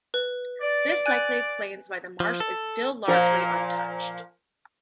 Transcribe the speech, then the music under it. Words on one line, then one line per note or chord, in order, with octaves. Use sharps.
This likely explains why the marsh is still largely untouched.
B4
D5
G#5 F#6 G#6
F3
A4
A#2 F3 A#4